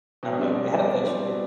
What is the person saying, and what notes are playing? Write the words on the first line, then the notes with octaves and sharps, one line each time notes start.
I don't know. It had a fish.
B2
G3 C4 G4 D5
B2
G3 C4 G4 D5
B2
G3 C4 G4 D5
B2